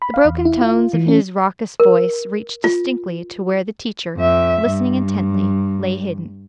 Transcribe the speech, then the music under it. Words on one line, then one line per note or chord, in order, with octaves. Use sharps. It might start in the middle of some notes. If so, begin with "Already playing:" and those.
The broken tones of his raucous voice reached distinctly to where the teacher, listening intently, lay hidden.
B5
F5
E2
E4
F4
E3
C#4
A#4
F4
F2 E5
G2